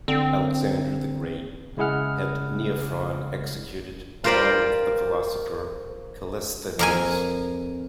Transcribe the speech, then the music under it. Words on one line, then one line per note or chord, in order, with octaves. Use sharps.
Alexander the Great had Neophron executed along with the philosopher Callisthenes.
D3 C4
C#3 G#3 E4 G#4 F#5 F6
F4 G4 A#4 C5 D5
F2 A#4 G#5